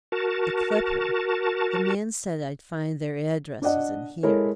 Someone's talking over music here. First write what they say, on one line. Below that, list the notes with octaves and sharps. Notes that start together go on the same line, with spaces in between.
"The 'Clipper.' The man said I'd find their addresses in here."
F#4 A#4 A5
D4 D5 D#5 F#5
G#3 E4 A4 A#4 C#5